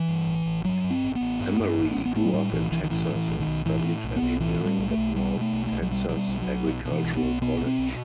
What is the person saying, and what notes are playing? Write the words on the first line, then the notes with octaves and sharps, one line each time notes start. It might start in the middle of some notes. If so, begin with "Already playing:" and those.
Emery grew up in Texas and studied engineering at North Texas Agricultural College.
Already playing: E3
G2
A1
A1
G2 F#3
G2
C4
A1
B3
A1
G2
G2
A1
A1
B3
A2 A3
F#3
A2 G3
B1 E3
B1 E3
D#3
A2 E3
A2
E3
B1
D#3
B1
A2 E3
A2
B1
B3
B1
A2 E3
A2
G3
B1
A3
B1
B2 G3
B2
A3
B1
A3
B1
F#3
B2 G3
B2 F#3
G3
B1
F#3
B1
B2
B2
E3
B1
B3
B1
B2 B3
B2
C4
B1